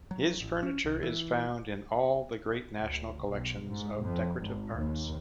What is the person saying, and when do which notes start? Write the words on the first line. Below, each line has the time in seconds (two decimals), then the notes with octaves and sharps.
His furniture is found in all the great national collections of decorative arts.
0.11 F#3
0.41 A1
0.63 C#4
0.84 C2
1.03 E3
2.82 D2
3.27 B1
3.68 G#2
4.04 F2
4.42 G#1
4.77 D#2